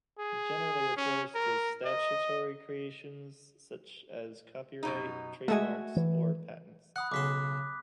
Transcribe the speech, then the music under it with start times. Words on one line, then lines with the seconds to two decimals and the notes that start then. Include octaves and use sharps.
It generally refers to statutory creations such as copyright, trademarks, or patents.
0.19 G#4
0.97 C#4
1.35 A#4
1.85 D#5
4.83 F#2 B2 D#4
5.48 G#3 A3 F#4 E5 G#5
5.96 E3
6.96 F#5 B5 D#6 F#6
7.12 B1 C#3 C6 D6 B6